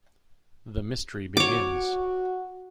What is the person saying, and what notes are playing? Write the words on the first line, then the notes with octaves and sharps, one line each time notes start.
The Mystery Begins.
F#4 C#5 D6